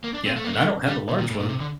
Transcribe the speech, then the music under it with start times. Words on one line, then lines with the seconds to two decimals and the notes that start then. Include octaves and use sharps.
Yeah, and I don't have the large one.
0.04 A#3
0.14 D4
0.26 C4
0.36 A3
0.44 A#3
0.54 A3
0.88 G3
1.09 A#2
1.19 A#2
1.30 A2
1.40 A#2
1.50 C3
1.60 D3